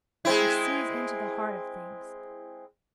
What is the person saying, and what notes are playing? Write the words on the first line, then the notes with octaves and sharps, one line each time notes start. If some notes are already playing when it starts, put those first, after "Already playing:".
She sees into the heart of things.
G#3 C4 E4